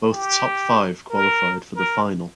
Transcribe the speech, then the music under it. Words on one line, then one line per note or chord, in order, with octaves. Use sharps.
Both top five qualified for the final.
G4
A#4
A#4